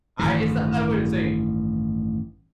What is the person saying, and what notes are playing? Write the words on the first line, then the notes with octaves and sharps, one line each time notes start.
I It's not I wouldn't say
A1 G2 D#3 E3